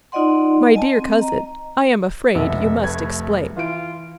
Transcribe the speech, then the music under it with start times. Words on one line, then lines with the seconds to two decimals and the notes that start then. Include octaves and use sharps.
"My dear cousin, I am afraid you must explain."
0.12 D#4 F4 D5 D#5 F#5 C6
0.74 D#5 G#5 A5
0.98 C4
1.18 D#5 A#5
2.35 F1 C2 B2 E5
2.83 A3 B4 G#6
3.57 E3 F4 D7